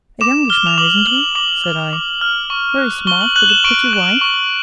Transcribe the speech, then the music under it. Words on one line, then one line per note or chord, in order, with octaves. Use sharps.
'A youngish man, isn't he?' said I, 'very smart, with a pretty wife?'
D6 E7
F6 G7
F7
D6 F#7
F6 F#7
D6 F#7
F6
D6
F6
C#6
F#6
C#6 G7
F#7
F#6 F#7
E7
C#6 D7
F#6
C#6